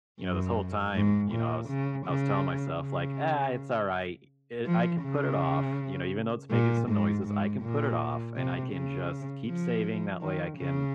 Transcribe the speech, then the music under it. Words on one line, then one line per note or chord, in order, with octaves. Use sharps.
you know, this whole time, you know, I was I was telling myself like, "Ah, it's all right e I can put it off, you know, even though it's making some noises, I can put it off, and I can just keep saving, that way I can,
F#2
G#2
A#2
C#3
C#3
C#3
F3
C#3
A#2
G#2
G#2
A#2
C3
C#3
F3
D#3
C#3